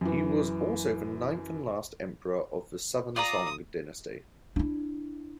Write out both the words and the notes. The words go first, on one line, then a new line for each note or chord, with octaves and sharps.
He was also the ninth and last emperor of the Southern Song dynasty.
F#2 E3
F4 D5 A#5 D#6
D4 E4